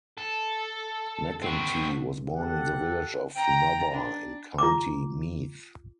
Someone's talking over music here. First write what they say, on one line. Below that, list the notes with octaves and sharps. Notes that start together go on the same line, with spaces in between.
McEntee was born in the village of Nobber in County Meath.
A4
C4 F#4
G4 A4 F#5
G5 A#5
D4
F4 D6